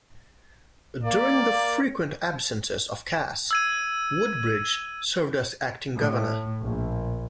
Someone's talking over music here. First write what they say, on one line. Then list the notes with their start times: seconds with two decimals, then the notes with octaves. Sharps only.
During the frequent absences of Cass, Woodbridge served as acting Governor.
1.04 A#3 D5
3.51 E6 G#6 D#7
5.96 A2
6.64 A#1